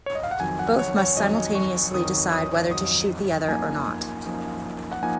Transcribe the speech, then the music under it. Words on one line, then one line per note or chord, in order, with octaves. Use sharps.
Both must simultaneously decide whether to shoot the other or not.
C#5
D#5
F5
F#5
F2 D#3 F#3 G#5
F#5
C#5
C#5
F2 D#3 F#3 D#5
C#6
F2 D#3 F#3 D#6
D#6
F2 D#3 F#3 D#6
F#2 F3 A#3 D#4 G#5
F#2 F3 A#3 D#4
F#5
F3 A#3 D#4 G#5